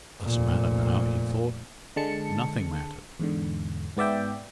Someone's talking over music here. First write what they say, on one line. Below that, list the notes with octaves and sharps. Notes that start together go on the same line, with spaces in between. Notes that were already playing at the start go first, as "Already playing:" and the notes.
"It doesn't matter now," he thought. Nothing mattered.
F1 A#2
D3 G#3 A5 C#7
E2 G#2 D3
G#2 B3 D5 E5 G5